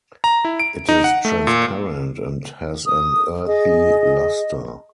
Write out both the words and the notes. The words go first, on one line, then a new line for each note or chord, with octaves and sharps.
It is transparent and has an earthy luster.
A#5
E4
D7
D#4
F#5
A3
A#2
D#6
G#4 D#5